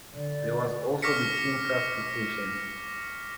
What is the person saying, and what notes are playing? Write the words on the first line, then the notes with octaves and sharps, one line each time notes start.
There was also the team classification.
D3 D5
C#6 D6 F6 A#6 B6 C#7